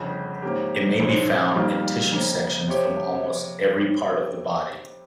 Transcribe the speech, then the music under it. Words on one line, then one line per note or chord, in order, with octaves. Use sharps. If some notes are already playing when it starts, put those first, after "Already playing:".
It may be found in tissue sections from almost every part of the body.
Already playing: G1 F2 C#3
G#2 F3 A#3 C#4 G4
A#1 G#2 F3 G#3 C#4
F2 D#3 G3 A#3 F4
F2 C#3 F3 A#3
C3 F3 C4 G4 C#5